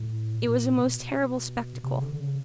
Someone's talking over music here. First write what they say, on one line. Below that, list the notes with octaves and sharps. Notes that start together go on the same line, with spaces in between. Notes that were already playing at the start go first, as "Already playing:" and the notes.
It was a most terrible spectacle.
Already playing: A2
A#2
B2
C3
D3
D3
C#3